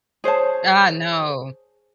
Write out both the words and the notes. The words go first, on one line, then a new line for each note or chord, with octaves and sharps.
Ah, no.
G#4 C5 C#5 A5